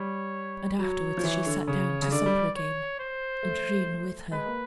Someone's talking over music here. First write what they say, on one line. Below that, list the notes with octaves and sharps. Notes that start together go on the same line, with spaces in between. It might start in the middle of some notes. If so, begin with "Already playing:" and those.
And afterwards she sat down to supper again, and Rhun with her.
Already playing: G3 C#5
F#3 C#5
F3
E3
D3
C#3 C#5
C#3
D3 D5
G3
C#5
C5
A3
G#3 B4
A#3